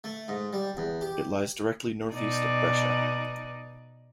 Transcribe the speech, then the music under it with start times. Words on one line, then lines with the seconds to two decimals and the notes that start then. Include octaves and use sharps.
It lies directly northeast of Brescia.
0.04 A3
0.28 G#2
0.53 G3
0.77 E2
1.01 G4
2.11 B2 D#4 D5